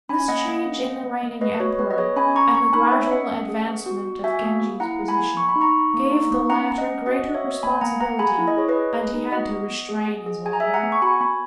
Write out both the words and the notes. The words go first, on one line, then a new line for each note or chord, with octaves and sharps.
This change in the reigning Emperor, and the gradual advancement of Genji's position, gave the latter greater responsibility, and he had to restrain his wandering.
C#4 G#5 B5
A#3 D#5 F#5
A#3
C#4
A#3
A#3
A#3
B3 B4 D#5
F#4 C#5
B3 B4
D#5
G#4 C#5
C#4 G#5 B5
C#4 A#5 C#6
B3 A#5 C#6
D#4 G#5 B5
B3 C#5 E5
E5
C#4 D#5 F#5
C#4
G#4
B3
F#4
F#4
F#4 E5 G#5
A#3
A#3
E4 F#5 A#5
G#4
G#5 B5
A#3
B3 C#6
B5
D#4
A#5 C#6
D#4
A#3
D#4
A#3
C#4 F#5 A#5
C#4
D#5 F#5
C#4
F#4 D#5 F#5
F#4 D#5
C#5 E5
B3
A#3 G#5 B5
A#3 F#5 A#5
A#3 F#5 A#5
G#4 G#5 B5
E4
D#5
G#4 C#5
B4 D#5
G#4
G#4
D#4
F#4 D#5 F#5
B3
B3
G#4
G#4
G#4
G#4 G#5
A#5
G#4 E5 G#5
F#5 A#5
B3
C#6
F#4 G#5 B5
B3 G#5 B5